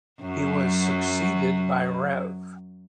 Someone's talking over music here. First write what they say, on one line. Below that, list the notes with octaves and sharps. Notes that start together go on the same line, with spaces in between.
He was succeeded by Rev.
F#2 F#3